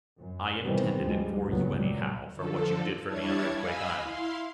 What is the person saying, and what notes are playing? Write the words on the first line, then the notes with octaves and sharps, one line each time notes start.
I intended it for you, anyhow, for what you did for me on Earthquake Island.
F#2
C3 D#3 E3 G3 B3 C4
D2 G2 F3 G3 G#3
G1 C#2 A#2 F#3 B3
A#2 F#3 G3
D3 F3 A4
G3 D4 E4 C#5 A5 G#6
D#5 F5 G#5 B5 E6
E4 F5 C6